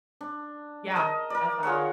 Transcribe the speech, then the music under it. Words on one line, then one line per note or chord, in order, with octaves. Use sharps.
Yeah, that's valid.
D4
A#4 D#5 A5
A#4 D5
F4 G#4 C#5 F#5